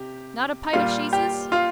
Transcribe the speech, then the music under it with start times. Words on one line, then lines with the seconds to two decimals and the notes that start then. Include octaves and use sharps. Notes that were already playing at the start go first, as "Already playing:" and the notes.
Not a pite of sheeses?
Already playing: C3 G4
0.73 A#2 G3 F4 F5
1.13 G4 G5
1.52 F4 F5